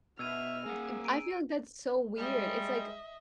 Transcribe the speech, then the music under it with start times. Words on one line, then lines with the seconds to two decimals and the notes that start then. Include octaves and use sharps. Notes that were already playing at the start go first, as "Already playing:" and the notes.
And I feel like that's so weird. It's like
0.19 B2 E5 E6 F6 G#6 D#7
0.66 A#3 G#4 F#5
1.05 A#5 D7 D#7
2.18 G3 G#3 D#5 E5